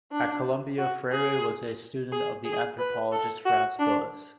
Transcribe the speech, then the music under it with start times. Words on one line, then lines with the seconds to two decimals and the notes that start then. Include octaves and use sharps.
At Columbia Freyre was a student of the anthropologist Franz Boas.
0.12 D4
0.78 F#4
1.12 G#4
2.12 G#4
2.45 G#4
2.79 B4
3.12 A4
3.45 F#4
3.79 D4